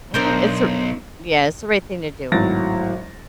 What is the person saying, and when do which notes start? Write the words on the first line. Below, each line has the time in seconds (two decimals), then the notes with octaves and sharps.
I think it's a r m Yeah, it's the right thing to do.
0.14 B1 D4 A#4 C5
2.32 G#1 A2 F#3 A6 A#6